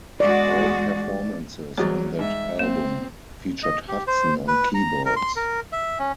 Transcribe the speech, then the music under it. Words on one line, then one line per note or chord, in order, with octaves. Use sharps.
All performances on that album featured Hudson on keyboards.
E2 G#3 F#4 D5
E2 E3 F#3 G3 C#5
G#2 E5
A#3 C4
D#5
G4
C5
B4
A#5
A#4
C6
A#4
E5
C#4